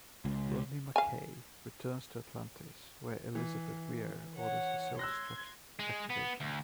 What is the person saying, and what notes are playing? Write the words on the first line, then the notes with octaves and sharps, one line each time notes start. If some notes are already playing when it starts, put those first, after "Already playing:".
Rodney McKay returns to Atlantis, where Elizabeth Weir orders the self-destruct activation.
C#2
F5 G#5
E3
C#5 F#5
C6 E6 F#6 G#6 A#6
G#3
B3
D2